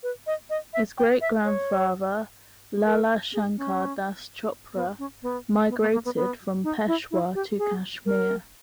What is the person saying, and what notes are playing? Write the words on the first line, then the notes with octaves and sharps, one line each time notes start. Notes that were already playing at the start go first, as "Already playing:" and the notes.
His great-grandfather, Lala Shankar Das Chopra, migrated from Peshawar to Kashmir.
B4
D#5
D#5
E5
G5
E5
C#5
A#4
G#4
C#4
B3
C#4
B3
B3
A#3
A#3
B3
B3
D#4
E4
E4
G4
G#4
A#4